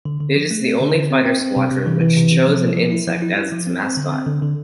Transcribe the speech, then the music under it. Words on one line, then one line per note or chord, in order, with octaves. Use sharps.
It is the only fighter squadron which chose an insect as its mascot.
D3
D3
F3
A3
C4
D3
D3
C4
C4
C4
C3
C3
E3
E3
C3
C3
F3
F3
F3
E4
F3
E4
E4
F3
C4
C4
D3
C4
D3
D3